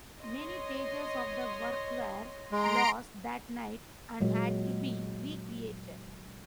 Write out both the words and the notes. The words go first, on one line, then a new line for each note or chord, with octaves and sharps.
Many pages of the work were lost that night and had to be recreated.
C#5 D#5 C6
G#3 A#5 C6 D7
A#2 F#3 G#3